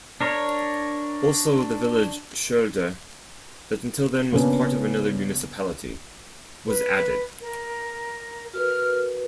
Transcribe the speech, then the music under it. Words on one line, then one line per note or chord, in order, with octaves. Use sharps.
Also the village Scheulder, that until then was part of another municipality, was added.
D4 A#4 C#5
C#3 F#3 A#3 B3 C#4 D4
B4
A#4
F#4 A#4 B4 F6